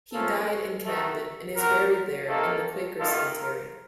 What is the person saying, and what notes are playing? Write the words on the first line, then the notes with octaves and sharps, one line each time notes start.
He died in Camden and is buried there in the Quaker Cemetery.
C3 F3 A#3 C#4 F4 A4
C3 D#3 A3 D#4 F#4 A4
A#2 F#3 C4 A#4
C3 D#3 A#3 A4
F#2 D#3 A#3 F4 A4
A#4